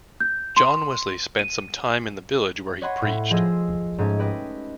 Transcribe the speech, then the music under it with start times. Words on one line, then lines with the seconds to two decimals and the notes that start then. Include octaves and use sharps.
John Wesley spent some time in the village where he preached.
0.20 G6
0.57 C6
1.39 D#7
2.82 C#5 D#5 F#5 B5 C6
3.02 A2
3.30 F3 G#4 D#5 C6 E6
3.98 G#2 A3 C#4
4.19 G4 B4 D#5